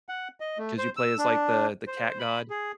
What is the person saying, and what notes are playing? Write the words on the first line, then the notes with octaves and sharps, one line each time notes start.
'cause you play as, like, the the cat god.
F#5
D#5
A3
C5
E6
D4
C5
B5
G#4